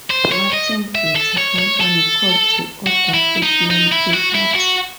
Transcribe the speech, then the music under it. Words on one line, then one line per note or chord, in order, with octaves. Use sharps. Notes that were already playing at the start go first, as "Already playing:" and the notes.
Martin Guitar Company called to order Fishman pickups.
C5
C#5
D#5
E5
A4
C#5
C#5
A4
F#4
E4
D#4
D#4
E4
F#4
E4
F#4